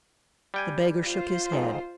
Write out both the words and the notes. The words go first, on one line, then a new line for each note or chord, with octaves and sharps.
The beggar shook his head.
G3 G5 G#5
F4 C5
F2 G#2